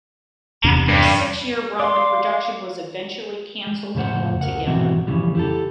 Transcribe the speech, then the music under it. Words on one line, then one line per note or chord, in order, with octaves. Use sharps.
After a six-year run, the production was eventually canceled altogether.
E2 C3 D4
G2
D5 F5 C6
G#3
F2 A2 C#3 B4 C5 F#5
C#2 A#4 F#5
B1 G#2 E3 C4 F#4
F2 G#2 C#3 E3 G3
E4 G4 A4